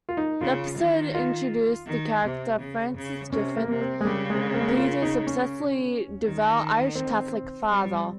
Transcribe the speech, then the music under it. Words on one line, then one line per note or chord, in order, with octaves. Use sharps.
The episode introduced the character, Francis Griffin, Peter's obsessively devout Irish Catholic father.
F4
D#4
C#3 F4
D#3
F4
D#3
C3
C#3
C#3
C3 C#4
A#3
C3
C4
G#3
C#3 G3
G#3
A#3
G#3
A#3
F4
D#4
C#4
D#3
C4
G3